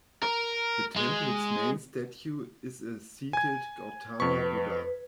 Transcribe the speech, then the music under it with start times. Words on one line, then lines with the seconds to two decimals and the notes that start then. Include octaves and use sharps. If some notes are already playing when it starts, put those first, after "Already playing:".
The temple's main statue is a seated Gautama Buddha.
0.23 A#4
0.96 G#3
3.33 G#5 G#6
4.20 F2 B4 C#6